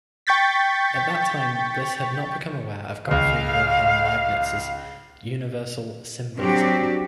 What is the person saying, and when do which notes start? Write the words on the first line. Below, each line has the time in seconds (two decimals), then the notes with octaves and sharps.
At that time Bliss had not become aware of Gottfried Wilhelm Leibniz's "Universal Symbolism".
0.27 G5 C#6 G6 A6 B6
3.08 C#2 C#3 F5
6.38 F#3 C4 D4 F#4 G4